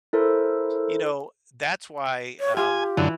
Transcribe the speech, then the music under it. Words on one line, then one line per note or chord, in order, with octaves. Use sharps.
you know, that's why, um,
E4 A4 A#4 C5
C#5
F4 G4 G#5
F#2 D3 E3